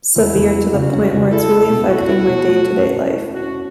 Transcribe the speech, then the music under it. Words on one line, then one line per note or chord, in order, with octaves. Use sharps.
severe to the point where it's really affecting my day-to-day life.
E2 E4
E2
F#3
C#3 F#4
C#4
C#3
E4 A4
E4
B2
E4 F#4
E4
B2
A3
A3
C#4
E4
E4
F#4
C#4